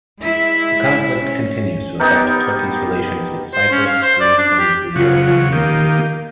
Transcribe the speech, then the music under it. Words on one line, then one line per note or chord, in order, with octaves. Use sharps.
The conflict continues to affect Turkey's relations with Cyprus, Greece, and the European Union.
G#3 E4 E5
C#4
B3 D#4 G4 A#4
C5
C#4
F5
C5
D5
D4
G4
C#3 F#3 F4
D#3 A#3 G4